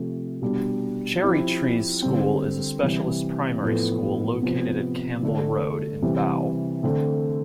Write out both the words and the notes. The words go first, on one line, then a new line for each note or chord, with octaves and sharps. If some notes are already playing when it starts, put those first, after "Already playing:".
Cherry Trees School is a specialist primary school located at Campbell Road in Bow.
Already playing: C3 F3 A3
B2 G3 D4
F3 C4 E4 G4
D3 G3 C4
C3 E3 G3
A2 F3 B3 E4 A4
C3 F3 B3
D3 A3 D4 A4
C3 E3 G3
D3 A3 C4